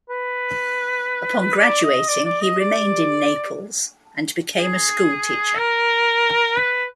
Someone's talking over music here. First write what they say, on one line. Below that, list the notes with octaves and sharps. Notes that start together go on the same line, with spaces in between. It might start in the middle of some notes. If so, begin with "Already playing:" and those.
Upon graduating, he remained in Naples and became a schoolteacher.
B4
D5
D#5
D5
D5
D#5
D5
G#4
A#4
B4